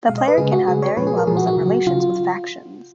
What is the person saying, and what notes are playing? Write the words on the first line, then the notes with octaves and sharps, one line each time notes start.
The player can have varying levels of relations with factions.
B2 G#3 F5
D#5
B4
C#3 G#3 G#4
F#4
C#3 G#3 G#4
C#5
A#2 F3 G#3 B4
G#4
A#4
A#2 F3 G#3 G#4
F#4
F#4
C#3 F#3
C#3 F#3 F4